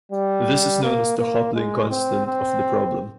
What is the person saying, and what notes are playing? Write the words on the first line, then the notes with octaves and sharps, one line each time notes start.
This is known as the Coupling constant of the problem.
G3
A#3
A#3
G#3
C4
C4